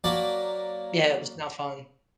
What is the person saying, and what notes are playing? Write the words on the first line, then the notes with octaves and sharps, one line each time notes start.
Yeah, it was not fun.
F#3 A#3 D5 A5 B5